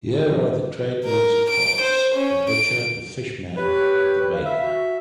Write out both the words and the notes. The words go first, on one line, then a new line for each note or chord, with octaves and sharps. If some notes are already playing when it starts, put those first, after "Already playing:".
Here are the tradesmen's carts — the butcher, the fish-man and the baker.
A#4
D7
C5
C#4
D7
G4 B4 C#5 F#6
B4 F5
E5
F#4